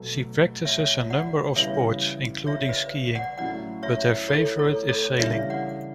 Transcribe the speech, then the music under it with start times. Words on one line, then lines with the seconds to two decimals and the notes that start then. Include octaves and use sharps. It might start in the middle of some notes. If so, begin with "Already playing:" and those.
She practices a number of sports including skiing, but her favorite is sailing.
Already playing: B2 F#3 A3
0.65 C#5 E5
1.10 D5 F#5
1.56 C#3 E3 G3 B3 E4 C#5 E5
2.47 C#5 E5
2.69 B4 D5
3.15 D5 F#5
3.38 A2 F#3 C#4 E4 D5 F#5
3.83 C#5 E5
4.28 A4 C#5
4.59 A4 C#5
4.89 A4 C#5
5.19 C#3 E3 G3 D4 C#5 E5
5.50 D5 F#5